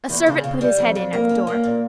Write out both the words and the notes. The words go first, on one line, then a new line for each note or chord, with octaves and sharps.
A servant put his head in at the door.
E2
C#3
C#3
G3
F2
F2
A#3
C#4
A#3
A#2